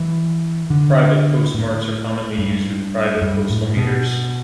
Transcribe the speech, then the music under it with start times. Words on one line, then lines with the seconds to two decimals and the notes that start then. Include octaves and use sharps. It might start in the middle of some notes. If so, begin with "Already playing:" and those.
Private postmarks are commonly used with private postal meters.
Already playing: E3
0.70 D3
1.54 A2
2.38 G2
3.22 G2
3.50 A2
3.77 B2